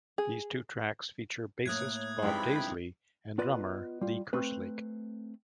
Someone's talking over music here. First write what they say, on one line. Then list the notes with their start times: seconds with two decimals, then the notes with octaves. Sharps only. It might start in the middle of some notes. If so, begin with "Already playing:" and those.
These two tracks feature bassist Bob Daisley and drummer Lee Kerslake.
0.18 G#4
1.66 A2 A#3 C#5 D#6 F#6 G#6
2.22 G2 C3 F3 G#3 D#4 E4 G5 B5
3.38 B3 F4 B4 D5 D#5
4.01 G3 F4
4.33 A3 C4 B4